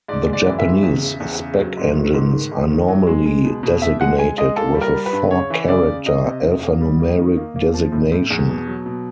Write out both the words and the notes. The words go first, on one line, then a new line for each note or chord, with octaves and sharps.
The Japanese spec-engines are normally designated with a four character alphanumeric designation.
G#2 D5
G#3
D5
E3
E5
G#2
E2
C#3
E2
C#3
F#3
G#2
D#3
G#2
D#3
G#2
D#3
F#3
G#3
G#3
B2
B2
B2 E5
G#3 F#5
G#3 G#5
G#3 D#5
A#3 A4
G3
A#4
G3
B4
G2
C#3 C#5
E3
C#3 D5
C#3
C3 D#5
C3
C3
A#3
G3
A#3
D#3
A#3
A#3
F3
A2
A2
E2
B2
F#3
B2